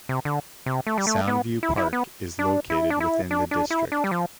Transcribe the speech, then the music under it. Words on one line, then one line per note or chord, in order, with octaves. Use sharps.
Soundview Park is located within the district.
C3
D3
C3
A3
G3
A3
B3
E4
E4
B3
D4
E4
D4
E4
D4
D4
E4
D4
G3
F3